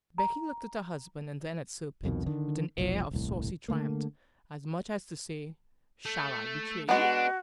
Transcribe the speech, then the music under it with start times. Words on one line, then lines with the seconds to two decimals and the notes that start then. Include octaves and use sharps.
Becky looked at her husband, and then at Sir Pitt, with an air of saucy triumph--as much as to say, "Shall I betray you?"
0.18 A#5
2.03 C2 F2 B2 D#3
2.26 D3 D#3
2.78 F1 B1 F3
3.11 D#1 C2 A2
3.68 D3 F3 A3 A#3
6.05 A3
6.89 G#3 B3 D4 F#4